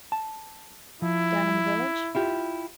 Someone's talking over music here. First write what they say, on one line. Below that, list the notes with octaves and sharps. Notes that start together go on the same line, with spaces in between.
Down in the village?
A5
F3 E4
E4 F4 G4